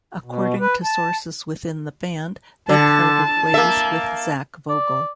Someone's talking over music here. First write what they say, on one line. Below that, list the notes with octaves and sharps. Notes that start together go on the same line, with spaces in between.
According to sources within the band, they parted ways with Zach Vogel.
B2
B4
A5
D3 A5
A#3 E5
D5